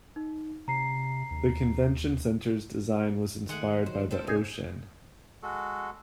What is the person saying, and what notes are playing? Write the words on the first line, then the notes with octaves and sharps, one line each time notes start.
The Convention Center's design was inspired by the ocean.
D#4
C3 A#5 C7
D#2
D#3 G#3 A3 F#5
D#3 F#3 C5
C4 A4 C5
D2 C3 C#4 D#4 G#4 C5 G#5
G#3 F#4 A4